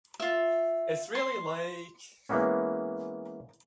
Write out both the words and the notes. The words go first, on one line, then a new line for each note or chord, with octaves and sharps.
It's really like ...
F4 E5
C6
E3 G#3 A#3 B3 C#4